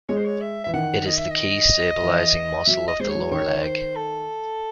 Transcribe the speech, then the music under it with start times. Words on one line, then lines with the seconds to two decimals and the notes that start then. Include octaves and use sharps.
It is the key stabilizing muscle of the lower leg.
0.09 G#3 C#5
0.17 C5
0.25 C#5
0.41 E5
0.64 E3 E5
0.73 D#3 F#5
1.06 D#5
1.18 E5
1.31 D#5
2.02 E3
2.67 F#3 E5
2.88 D#5
3.00 G#3 C5
3.10 C#5
3.15 F#3
3.31 D#3 C#5
3.63 C5
3.96 A4